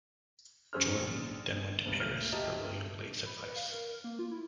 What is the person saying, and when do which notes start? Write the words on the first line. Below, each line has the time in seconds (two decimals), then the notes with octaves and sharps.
Jordan, then went to Paris, per William Blake's advice.
0.73 F#2 C#4 G#4 C5 E6 F6
0.99 A#1 D3
1.86 E1 G2
2.00 D2 A#2 F6 G7
2.32 F4 G4 D#5 E5 A5 A#5
3.26 B5
3.43 B4
3.56 F5
3.72 A#4
4.04 A#3
4.19 F4
4.31 E4